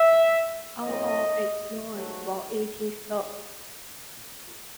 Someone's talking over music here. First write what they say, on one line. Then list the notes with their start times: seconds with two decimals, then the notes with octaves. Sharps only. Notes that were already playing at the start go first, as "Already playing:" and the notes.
Ao Ao is known for eating clothes.
Already playing: E5
0.83 A2 F#3 C4 D#5
1.94 G#2 F#3 A3